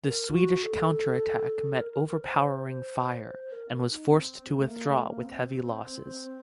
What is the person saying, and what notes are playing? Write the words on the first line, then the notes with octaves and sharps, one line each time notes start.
The Swedish counterattack met overpowering fire and was forced to withdraw with heavy losses.
A#4
F4
F#4
A4
A#4
A#4
A#4
C5
A#4
A#4
D#4
C4
A3
A#3
A3
A#3
C4